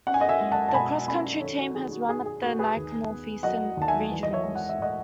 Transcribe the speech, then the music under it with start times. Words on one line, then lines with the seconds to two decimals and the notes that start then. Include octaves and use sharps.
The Cross Country team has run at the Nike Northeastern Regionals.
0.07 C#4 F#5
0.14 G#5
0.20 D#5 F#5
0.29 E5 G#5
0.40 G#3
0.52 F#5 A5
0.68 A5
0.74 B2 G#5 B5
1.08 C#4 G#5 B5
1.41 D#3 A4 C#5
1.58 F#4 A4
1.75 D#3 G#4
1.92 F#4
2.09 D#4 G#4
2.25 G#4
2.42 A3 F#4 A4
2.59 G#4 B4
2.77 D#2
3.10 B3
3.43 F#3 D#5 F#5
3.77 D#2 A5
3.88 E5 G#5
4.11 E3
4.23 D#5
4.33 C#5 E5
4.44 G#3
4.55 F#5
4.69 E5
4.78 A2 D#5 F#5